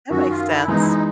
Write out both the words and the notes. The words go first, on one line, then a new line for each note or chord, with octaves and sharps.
That makes sense.
F#2 D#3 F#3 F#4
F4
E4
E3 G#3 B3 D#4
E4
D#4